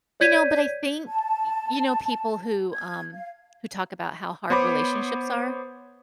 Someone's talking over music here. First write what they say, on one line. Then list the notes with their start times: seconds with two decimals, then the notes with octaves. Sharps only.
You know, but I think, y you know, people who, um, who talk about how hard relationships are,
0.20 C#5 D5 G6 G#6 B6 D#7
1.08 A5
2.73 G#6
3.13 F5
4.50 B3 C5 C#5 B5 D6